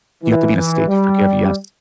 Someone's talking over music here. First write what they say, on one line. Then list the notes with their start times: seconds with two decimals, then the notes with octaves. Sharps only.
you have to be in a state to forgive, yes.
0.23 E3
0.55 E3
0.87 G3